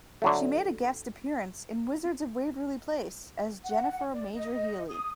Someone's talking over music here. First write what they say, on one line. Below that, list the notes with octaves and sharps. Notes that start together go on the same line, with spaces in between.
She made a guest appearance in "Wizards of Waverly Place" as Jennifer Majorheely.
D3 F#3 A3
F#5
D5
D#5
D#6